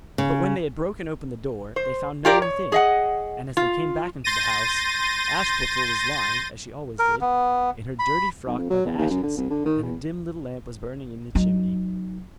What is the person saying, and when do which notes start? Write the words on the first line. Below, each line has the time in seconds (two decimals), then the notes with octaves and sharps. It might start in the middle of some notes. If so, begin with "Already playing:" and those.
But when they had broken open the door they found no one within; and as they came back into the house, Ashputtel was lying, as she always did, in her dirty frock by the ashes, and her dim little lamp was burning in the chimney.
0.18 C#3
1.76 C5
2.25 F4 G4 A#4 D5
2.42 C#5
2.72 G#4 D#5 F#5
3.57 F4
4.24 C6 G6 A6 A#6 D#7
6.99 A#4
7.21 B3
7.99 B5
8.47 B1
8.58 F2
8.70 F#3
8.86 E2
8.98 D#2
9.10 F#2
9.23 D3
9.37 C2
9.50 D3
9.65 D#3
9.82 E2
11.35 F#3 D#4